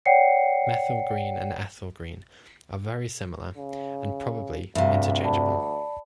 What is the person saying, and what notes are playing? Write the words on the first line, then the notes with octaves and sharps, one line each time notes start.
Methyl green and ethyl green are very similar and probably interchangeable.
C#5 D5 F#5 G5 C7 C#7
C#3
D2 G2 C3 E5 F5
D5 A5 B5